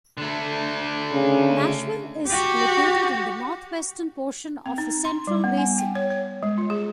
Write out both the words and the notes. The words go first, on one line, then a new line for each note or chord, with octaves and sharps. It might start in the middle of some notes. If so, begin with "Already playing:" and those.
Nashville is located in the northwestern portion of the Central Basin.
D3 A3
C#3
F#4 G4
C4
D#4
C6
G3
B3
G#5
G5
C#5
C#5
G#3
F4
G#4